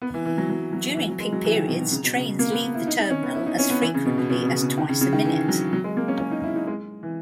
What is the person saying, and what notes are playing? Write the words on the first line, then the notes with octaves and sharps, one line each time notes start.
During peak periods, trains leave the terminal as frequently as twice a minute.
B3
E3
E3
F#3
F#3
F#3
E3
F#3
G#3
F#3
E3
D#3
B2
B2
C#3
B2
C#3
A#3
B3
B3
E4
D#4
D#4
C#4
B3
E4
D#4
C#4
B3
E3
C#3
B2
B2
B2
C#3
C#3
D#3
C#3
C#3
D#3
E3
F#3
F#3
G#3
A#3
C#4
C#4
D#4
E4
D#4
G#3
E3